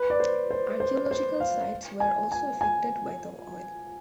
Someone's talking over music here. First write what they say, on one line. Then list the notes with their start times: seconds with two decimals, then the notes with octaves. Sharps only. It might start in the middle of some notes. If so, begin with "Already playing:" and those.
Archeological sites were also affected by the oil.
Already playing: B4
0.10 D5
0.20 C5
0.51 C5
0.80 C5
1.11 C5
1.40 F5
2.00 G#5
2.32 G#5
2.61 G#5